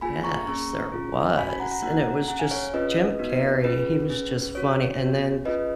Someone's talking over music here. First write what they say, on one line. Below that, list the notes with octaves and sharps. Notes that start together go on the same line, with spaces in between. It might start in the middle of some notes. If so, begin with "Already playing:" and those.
Yes, there was, and it was just Jim Carrey, he was just funny and then,
A#3 F4 G#4 G#5 B5
A#5 C#6
A#3 C#4 G#4 A#5 C#6
C#4 F4 G#4
C#4 F#4 G#5 B5
G#5 B5
F#5 A#5
F#5 A#5
A#3 D#4 F#4 F#5 A#5
C#4 G#4 F#5 A#5
F5 G#5
C#5 F5
C#4 F4 G#4 B4 D#5
B3 D#4 F#4
C#4 F4 G#4 B4
C#4 G#4
C#4 F#4 C#5
B3 F#4
C#4 F4 G#4 B4 D#5